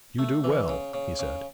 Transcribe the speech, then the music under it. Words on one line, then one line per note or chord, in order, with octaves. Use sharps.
"You do well," he said.
A3
E3
C#3
C#3
C#3